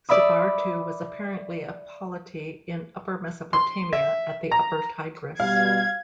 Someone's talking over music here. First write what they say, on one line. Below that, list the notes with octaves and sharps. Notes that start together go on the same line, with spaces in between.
Subartu was apparently a polity in Upper Mesopotamia, at the upper Tigris.
D5 E5 B5 D#6
C6
E5
A#5
B2 G3 F5 G#6